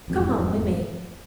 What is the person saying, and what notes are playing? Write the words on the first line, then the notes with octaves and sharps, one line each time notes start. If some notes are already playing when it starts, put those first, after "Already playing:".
Come home with me.
E1 F2 G#2